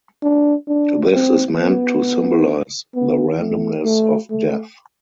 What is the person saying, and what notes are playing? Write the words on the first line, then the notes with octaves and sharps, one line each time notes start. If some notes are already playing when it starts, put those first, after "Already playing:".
This is meant to symbolize the randomness of death.
D4
D4
C4
B3
B3
A3
A3
A3